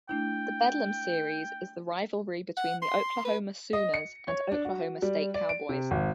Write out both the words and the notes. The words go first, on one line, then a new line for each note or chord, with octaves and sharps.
The Bedlam Series is the rivalry between the Oklahoma Sooners and Oklahoma State Cowboys.
A3 D4 E4 G5
F#5
C6
B4
D#5
C#7
C#5
D4
F#4
G3
D5
D7
C3
G#1